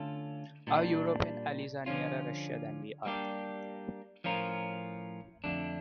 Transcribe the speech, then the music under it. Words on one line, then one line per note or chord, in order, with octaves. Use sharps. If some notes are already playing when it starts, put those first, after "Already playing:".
Our European allies are nearer Russia than we are.
Already playing: D3 A3 C#4 F4 A4
A#2 G3 D4
D3 F3 C#4 F4
G3 A#3 D4 G4
A2 F3 C#4 F4 A#4
F2 D3 A3 D4